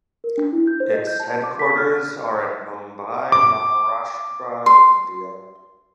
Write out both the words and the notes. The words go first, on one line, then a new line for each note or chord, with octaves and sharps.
Its headquarters are at Mumbai, Maharashtra, India.
A#4
D4
E4
G6
C5
D#5
G6
A5
D6
B6
F6
D6
C6